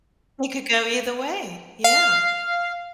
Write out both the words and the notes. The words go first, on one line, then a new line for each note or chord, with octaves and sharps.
It could go either way, yeah.
F5